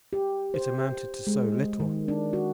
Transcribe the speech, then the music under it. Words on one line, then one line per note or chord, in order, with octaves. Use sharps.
It amounted to so little!
G4
C5
G#3
D#3
D4
F#4